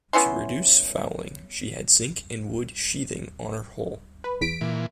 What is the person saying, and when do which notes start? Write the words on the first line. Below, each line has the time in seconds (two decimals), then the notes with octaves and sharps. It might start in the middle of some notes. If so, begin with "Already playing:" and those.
To reduce fouling, she had zinc and wood sheathing on her hull.
0.13 B3 C#4 E4 C6
4.24 B4
4.41 E2 B6 D7
4.61 A#2 E3